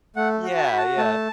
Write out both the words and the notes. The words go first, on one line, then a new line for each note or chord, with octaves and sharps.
Yeah, yeah.
A3 F#5
F#4
A5
F#4 B5
A5
A3 A5